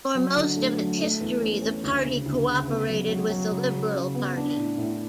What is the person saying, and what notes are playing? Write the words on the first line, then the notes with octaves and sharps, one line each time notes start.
For most of its history, the party cooperated with the Liberal Party.
F#3
D3
A3
F#3
A3
E2
C#4
C#4
D2
C#3
D2
C#3
B3
F#3
F#3
F#3
C#3
C#3
C#3
B3
D4
A2
A2